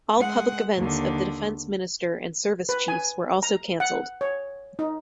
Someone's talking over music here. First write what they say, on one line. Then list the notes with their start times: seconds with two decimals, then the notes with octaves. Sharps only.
All public events of the Defence Minister and Service Chiefs were also cancelled.
0.17 G#3 F#5
0.77 D#2 D3
2.69 B4
2.88 G#5
3.43 A#5
3.80 F#5
4.21 C#5
4.79 D#4